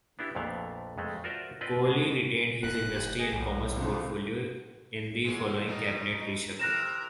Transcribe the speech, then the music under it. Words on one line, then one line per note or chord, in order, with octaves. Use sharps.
Colley retained his Industry and Commerce portfolio in the following cabinet reshuffle.
B3 D4 E4 G4
A#1 F2 A#2 A3 B3 F5
F2 G#3 A3
F4 F#4 A#4 C5 D5 E5
C4 F4 B4 D5 D#5
B2 G#3 G#4
F1 F#6
G4 G6 D#7
G#4 D#5
B1 E2 A2
C2 F2 D3 F3
E2 E3 G#3
B2 F3 D#4
C3 E4 A#4 F#6 A#6 E7